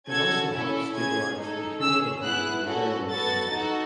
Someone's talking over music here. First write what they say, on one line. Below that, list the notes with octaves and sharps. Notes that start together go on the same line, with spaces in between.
It also helps stabilise the humeral head in the glenoid cavity.
C#4 F#4 A4 G#6
C#4 E4 A4
C#4 G#4 G#6
D#4 A4
C#4 G#4 E6
B3 E4 G#4 F#6
C#4 F#4 A4
B3 F#4 A4 A6
D#4 F#4 A4